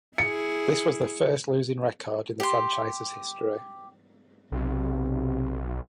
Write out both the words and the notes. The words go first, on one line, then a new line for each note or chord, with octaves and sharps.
This was the first losing record in the franchise's history.
E4 G#4 C#7
G4 C6
B1 C3